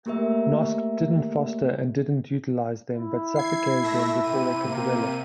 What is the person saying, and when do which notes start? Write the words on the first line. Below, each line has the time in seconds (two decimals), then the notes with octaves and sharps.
Noske didn't foster and didn't utilize them, but suffocated them before they could develop.
0.06 A3 A#3 G4 A#4 E5
2.94 E4
3.36 G#6 C7
3.83 A3 E5 A#6
4.24 C3 D#7
4.65 A#3